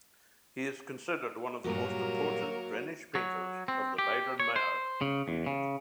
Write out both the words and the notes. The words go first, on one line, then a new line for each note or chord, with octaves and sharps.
He is considered one of the most important Rhenish painters of the Biedermeier period.
G2 A#2 F#3 G3 A#3 F#4 A#4
F#3
C4
G4
C#5
C5
C#3
E2
C#3